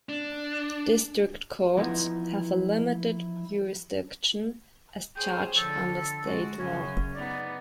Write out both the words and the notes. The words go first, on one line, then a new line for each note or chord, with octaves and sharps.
District Courts have a limited jurisdiction as charged under state law.
D4
E3 F3 B3 D#4 E4
G#4 C5 C#5 G5
D3 F3 A4
G#3 F#4
F#2 C#3 C#4
B3 D#4 D5